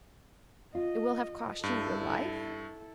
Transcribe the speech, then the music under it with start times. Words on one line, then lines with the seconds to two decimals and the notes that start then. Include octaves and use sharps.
It will have cost you your life?
0.75 F4 D#5
1.63 G2 E4 A4